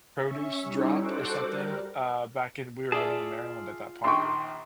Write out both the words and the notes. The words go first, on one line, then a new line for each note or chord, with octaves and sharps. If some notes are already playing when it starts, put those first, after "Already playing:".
produce drop or something, uh, back in we were living in Maryland at that point,
C#4 E5 C#6
G3 C#4 D#4 E4
F#4 A4 C5 F#5 D6
G3 A#4
F4 G#4 D5 E5 A5
A#1 D#3 G5 C6 C#6